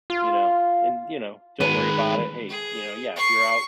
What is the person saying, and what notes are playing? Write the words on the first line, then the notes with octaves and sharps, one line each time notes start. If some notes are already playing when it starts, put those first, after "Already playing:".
you know and, you know, don't worry about it. Hey, you know Yeah, if you're out
F4
D#3 G#3 B4
G#4
C#6 C7